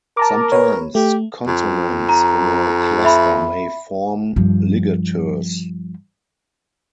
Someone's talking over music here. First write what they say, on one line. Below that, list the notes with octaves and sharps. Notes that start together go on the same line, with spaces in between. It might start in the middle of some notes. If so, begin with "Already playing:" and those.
Sometimes, consonants in a cluster may form ligatures.
A#4 A5 A#5 D6
B4 C#5
A3 G4
F2
A#5
E5 B5
G2 F3